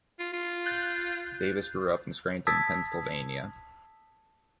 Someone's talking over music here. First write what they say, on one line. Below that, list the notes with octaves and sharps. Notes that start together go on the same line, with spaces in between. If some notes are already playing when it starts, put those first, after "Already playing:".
Davis grew up in Scranton, Pennsylvania.
F4
F4
F#6 G6 A6
A5 D#6 E6 G#6 A6 B6